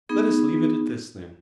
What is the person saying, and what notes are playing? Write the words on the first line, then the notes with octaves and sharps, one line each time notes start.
Let us leave it at this then.
B3 D#4 G#4